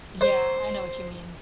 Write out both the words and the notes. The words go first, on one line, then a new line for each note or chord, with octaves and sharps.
Yeah, I know what you mean,
C5